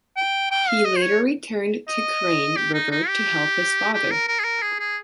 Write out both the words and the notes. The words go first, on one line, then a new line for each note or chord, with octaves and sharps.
He later returned to Crane River to help his father.
G5
G5
F5
D#5
C5
C#5
D#5
G4
D#4
D#4
G4
G4
A#4
A#4
G#4
A#4
G#4
G#4